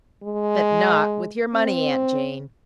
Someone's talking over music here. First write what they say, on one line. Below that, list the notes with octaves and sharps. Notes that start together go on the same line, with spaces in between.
But not with your money, Aunt Jane.
G#3
C4